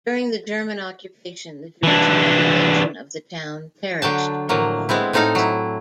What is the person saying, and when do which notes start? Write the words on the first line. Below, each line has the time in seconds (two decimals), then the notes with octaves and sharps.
During the German occupation the Jewish population of the town perished in the Holocaust.
1.83 E3 D4
4.02 D3 F#3 G5 A5
4.49 A2 F3 F#3 A#3
4.89 G#3 B3 C4 E4
5.13 A2 C4 D#4 A4 F5
5.35 F#3 E4